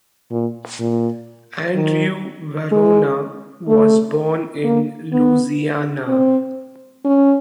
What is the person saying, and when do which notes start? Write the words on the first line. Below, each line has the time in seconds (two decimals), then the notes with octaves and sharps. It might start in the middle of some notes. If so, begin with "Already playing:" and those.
Andrew Varona was born in Louisiana.
0.31 A#2
0.79 A#2
1.75 D#3
2.71 G#3
3.68 A3
4.64 A#3
5.12 B3
6.08 C4
7.05 C#4